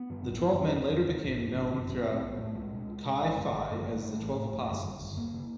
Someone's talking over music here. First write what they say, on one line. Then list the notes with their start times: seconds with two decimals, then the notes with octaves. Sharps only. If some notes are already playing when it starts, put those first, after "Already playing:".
The twelve men later became known throughout Chi Phi as the "Twelve Apostles".
Already playing: B3
0.10 G2 D3
0.26 A1
0.42 G2 D3
0.59 E1 C#4
0.75 D#2 C#3
0.91 E1
1.08 D#2 C#3
1.24 A1 D4
1.41 G2 D3
1.57 A1
1.73 G2 D3
1.90 B1 C#4
2.00 C4
2.06 A2
2.12 C4
2.22 B1 B3
2.38 A2 A3
2.55 C2 G#3
2.71 B2
2.88 C2
3.04 B2
3.20 G#1
3.37 G2 D3
3.53 G#1
3.70 G2 D3
3.86 A1 A3
4.02 A2
4.19 A1
4.35 A2
4.51 G1
4.67 G2 D3
4.84 G1
5.01 G2 D3
5.17 E1 A#3
5.34 C#3